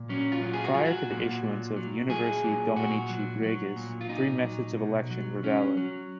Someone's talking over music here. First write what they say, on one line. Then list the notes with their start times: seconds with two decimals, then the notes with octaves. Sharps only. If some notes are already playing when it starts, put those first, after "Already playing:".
Prior to the issuance of "Universi Dominici gregis", three methods of election were valid.
Already playing: A#2
0.09 F#3 C#4
0.32 F4
0.43 F#3
0.54 G#4
0.64 F#4
0.74 F#3 F4
0.85 F#4
1.10 A#2
1.44 A#2
1.76 F#3
2.10 F#3 G#4
2.44 A#2
2.76 A#2 F#4
3.10 F#3
3.43 F#3
3.76 A#2
4.01 F4
4.10 A#2 D#4
4.43 F#3
4.77 B2
5.10 F#3
5.43 F#3 C#4
5.77 F#3